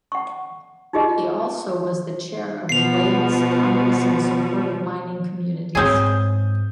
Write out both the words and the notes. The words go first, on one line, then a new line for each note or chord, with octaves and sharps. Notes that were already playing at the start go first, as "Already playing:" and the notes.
He also was the chair of the Wales Congress in Support of Mining Communities.
F#5 C#6
D#4 F4 G4 G#4 D#5
B2 F3 B3 C7 F7
G#2 C4 G#4 C#5 D#6 G6